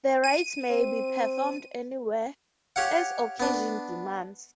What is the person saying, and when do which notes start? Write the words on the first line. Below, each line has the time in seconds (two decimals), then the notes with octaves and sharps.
The rites may be performed anywhere, as occasion demands.
0.24 D#7
0.70 C4
2.76 G4 C#5 F5 F#5
3.40 B3 D4